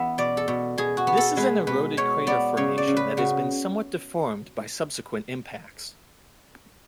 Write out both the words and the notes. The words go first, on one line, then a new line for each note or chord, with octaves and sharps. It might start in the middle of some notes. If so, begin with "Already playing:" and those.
This is an eroded crater formation that has been somewhat deformed by subsequent impacts.
Already playing: E3 B3 E5
B2 D5
A4
B2
B2 G#4
F#4
B3
A4
G#3 B4
B2 B4
B2 C#5
B3 D5
C#3 C#5
D5
C#3
B4
C#3 F#4